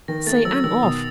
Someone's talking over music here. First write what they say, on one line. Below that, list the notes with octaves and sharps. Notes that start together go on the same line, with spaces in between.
Say, I'm off!
D#3 A#6
A3 A6
F#3 E6
D#3 E6
B2 D#6